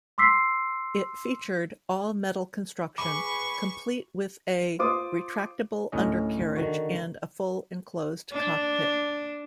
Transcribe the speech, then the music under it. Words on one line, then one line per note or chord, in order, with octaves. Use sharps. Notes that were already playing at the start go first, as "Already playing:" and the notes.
It featured all-metal construction, complete with a retractable undercarriage and a fully enclosed cockpit.
C6 D6 E6 B6 C7
G#4 B4 B5 C#6 D6
F4 C5 D6 D#6
D2 A2 C#4 D#5
D3 D#3 F#4
D4